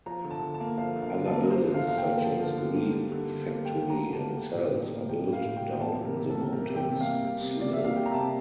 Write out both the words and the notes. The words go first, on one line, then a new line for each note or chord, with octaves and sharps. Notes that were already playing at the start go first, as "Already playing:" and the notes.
Other buildings such as refectory and cells are built down on the mountains slope.
F3 A#5
D3
A5
D3
A5
A#3
F3 F5
D3
F5
D3
A4
A#3
A#4
F3 C5
D3
F5
D3 F5
G5
A#3
F3
D3
D3
A#3
G3
D3
D3
A#3
G3 G5
D3
A#5
D3
A5
A#3
G3
A2
A2
A#3
G3 G5
A2
F5
A2
G5
A#3
G5
G3 A5
C3
A#4
C3
A4
A#3
G3 A#4
C3
G5
C3
F5
A#3
G3
C3
C3 D5
A#3 E5
F5
G3 G5
A#5
C3 A5